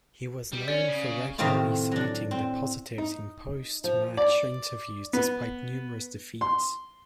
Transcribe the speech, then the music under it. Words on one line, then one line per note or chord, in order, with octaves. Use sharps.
He was known for regularly citing the 'positives' in post-match interviews despite numerous defeats.
G3
C#4 D5
C#3
A2 C3 D#3 C4 D#4 F4
F#3 D4
C4
D#4
F3
D5
B3
C6